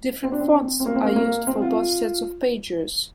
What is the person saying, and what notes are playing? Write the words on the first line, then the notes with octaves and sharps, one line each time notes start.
Different fonts are used for both sets of pages.
C4
D4
C4
C4
A#3
C4
A#3
A#3
C4
F4